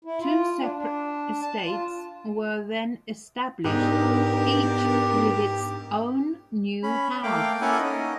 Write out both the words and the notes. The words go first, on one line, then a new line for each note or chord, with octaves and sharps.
Two separate estates were then established, each with its own new house.
E4
F4
D4
D4
A5
F4
G#2 B3 D4 D#4 G4 A#4
C#4 B5
A3 A#3 F5 G5 D6
A#3 C#4 E4 A4 F#5 G#5
C#4 D#4 D#5